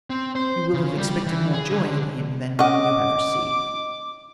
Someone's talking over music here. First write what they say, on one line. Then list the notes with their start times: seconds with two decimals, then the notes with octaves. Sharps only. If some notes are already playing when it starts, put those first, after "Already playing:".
You will have expected more joy in him than you have received.
0.10 C4
0.36 C5
0.73 C#3
0.97 G3
1.27 E3
1.54 G#4
1.71 D3
2.59 C#4 D#5 F#5 D6